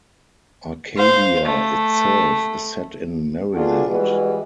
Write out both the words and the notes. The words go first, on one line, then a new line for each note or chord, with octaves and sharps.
Arcadia itself is set in Maryland.
C5 F5
A3
B3 D4 F4 F#4 G#4 A4
E3 G3 G#3 F#4 G#4 B4